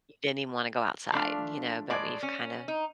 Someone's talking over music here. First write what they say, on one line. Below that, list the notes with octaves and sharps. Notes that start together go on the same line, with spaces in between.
didn't even wanna go outside, you know, but we've kinda
F3 A3 D4 F5
A2 G#3 D5
C#4
D#4